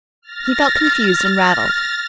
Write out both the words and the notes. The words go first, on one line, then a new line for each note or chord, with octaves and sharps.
He felt confused and rattled.
F6 A6 A#6